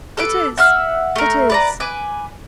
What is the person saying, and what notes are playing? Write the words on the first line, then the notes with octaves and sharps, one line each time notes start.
'It is--it is!
A4 B4 D6
E5 F#5 E6 F6
A3 A#4
B4 D5 A#5
B4 G#5 D6